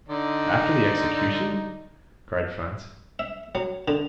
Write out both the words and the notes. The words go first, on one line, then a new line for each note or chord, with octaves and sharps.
"After the execution?" cried Franz.
D3 D#4 D5
E5
F#3
D3